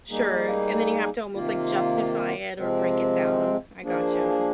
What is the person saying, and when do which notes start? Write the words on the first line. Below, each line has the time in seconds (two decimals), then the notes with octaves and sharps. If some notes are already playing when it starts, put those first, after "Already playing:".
Sure and then you have to almost, like, justify it or break it down. I gotcha,
0.10 G3 A#3 D#4 G#4
1.34 C3 D#3 A#3 F4
2.58 C3 F3 G#3 C4
3.83 F3 A#3 D4 G#4